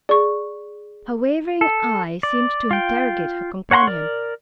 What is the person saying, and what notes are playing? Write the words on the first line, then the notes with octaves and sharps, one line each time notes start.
Her wavering eye seemed to interrogate her companion.
G#4 D5 C#6
A4
D5
F4 G5
C#5 F#5 A#5 C6 C#6
A#4 D5